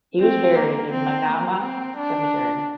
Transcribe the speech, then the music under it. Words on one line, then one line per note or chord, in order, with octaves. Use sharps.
He was buried in Manama Cemetery.
C4
A#3
C4
A#3
C4
D4